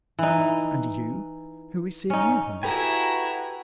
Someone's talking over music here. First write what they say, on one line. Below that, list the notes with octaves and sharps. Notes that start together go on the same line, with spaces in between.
"And you, who is seeing you home?"
E3 D#4
C#4 D#4
E4 F#4 G4 A4 B4 G5 G#5 A#5